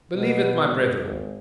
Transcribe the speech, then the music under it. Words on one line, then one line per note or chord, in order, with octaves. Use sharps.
Believe it, my brethren!
B2
G#1
G#1